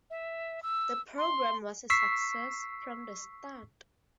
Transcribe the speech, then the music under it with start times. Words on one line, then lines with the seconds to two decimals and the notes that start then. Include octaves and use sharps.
The programme was a success from the start.
0.10 E5
0.63 E6
1.18 C6
1.90 C#6 E6 B6 C7